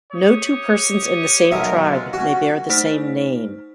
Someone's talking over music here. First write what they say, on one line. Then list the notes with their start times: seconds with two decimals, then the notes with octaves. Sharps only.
No two persons in the same tribe may bear the same name.
0.12 G4 C#5 D#6
1.51 B1 A#4 E5
1.82 G#3 F4
2.13 C#4 F#4
2.69 A3 D#4 C5 F6 B6